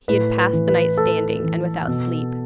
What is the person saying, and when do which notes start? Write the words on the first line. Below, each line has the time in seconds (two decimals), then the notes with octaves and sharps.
He had passed the night standing, and without sleep.
0.08 A2 B4
0.38 B4
0.53 E3
0.68 B4
0.97 A2 A4
1.43 E3
1.87 B2